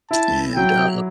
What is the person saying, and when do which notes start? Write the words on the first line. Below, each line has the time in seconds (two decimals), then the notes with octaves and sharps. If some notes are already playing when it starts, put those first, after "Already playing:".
and, uh,
0.11 E4 A5
0.55 F#3 G5